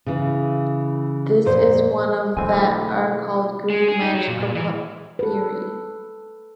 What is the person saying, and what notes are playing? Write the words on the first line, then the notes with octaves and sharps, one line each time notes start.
This is one of that are called Greek Magical Papyri.
C#3 E3
F2 A#2 C5
B2 D3 E3 F#3 A3 C4 G#5
G#3
G#4
D#4
F#3
A#2
A#2
E3
A4 B4